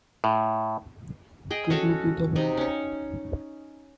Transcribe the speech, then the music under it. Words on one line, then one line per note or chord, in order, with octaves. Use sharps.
Could You Be the One?
A2
G#4 D#5 G5
C#4 F#4 A4 C#5
C3 D#4
C#4 C#5